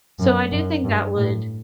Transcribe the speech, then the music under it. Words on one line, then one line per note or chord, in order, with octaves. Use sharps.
So I do think that would
F#2
F#2
G2
A2